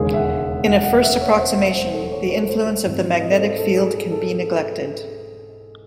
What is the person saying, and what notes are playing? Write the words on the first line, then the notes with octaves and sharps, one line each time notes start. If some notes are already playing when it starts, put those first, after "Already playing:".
In a first approximation, the influence of the magnetic field can be neglected.
Already playing: E1 D#2 C#3 G#3 C#4 G#4
E5
F#5
F#5
F#5
E5
C#5
C5
C5
C5
A4
C#5
C#5
A4
C5
A4
G#2 E3 C4
C5
D#5
A4
C5
A4
G#4
A4
A4
A4